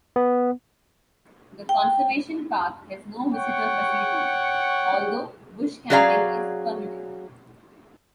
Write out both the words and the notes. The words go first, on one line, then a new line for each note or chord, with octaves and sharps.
The conservation park has no visitor facilities, although bush camping is permitted.
B3
G5
C#5 F#5 G5 C#6
F#3 C#4 G#4 D5 F5 A#5